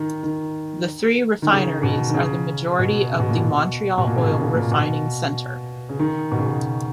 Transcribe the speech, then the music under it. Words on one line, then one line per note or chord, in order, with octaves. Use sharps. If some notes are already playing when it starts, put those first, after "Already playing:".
The three refineries are the majority of the Montreal Oil Refining Center.
Already playing: D#3
D#3
D#3
C#3
B2
D#3
C#3
B2
C#3
B2
A#2
B2
B2
A#2
C#3
B2
C#3
A#2
B2
C#3
D#3
B2
C#3
B2